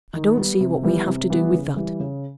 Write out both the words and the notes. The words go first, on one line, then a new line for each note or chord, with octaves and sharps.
'I don't see what we have to do with that.
D#3
G3 B3
C3
E3 G3 B3
C3
E3 G3 B3
C#3
E3 G3
C#3